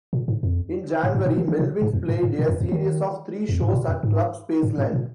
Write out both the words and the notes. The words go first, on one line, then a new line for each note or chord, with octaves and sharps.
In January, Melvins played a series of three shows at Club Spaceland.
A#2
G#2
F2
G#2
G#2
A#2
D#3
D#3
C3
G#2
F2
G#2
G#2
A#2
F2
F2
D#3
F2
G#2
A#2
F2
G#2
G#2
G#2
A#2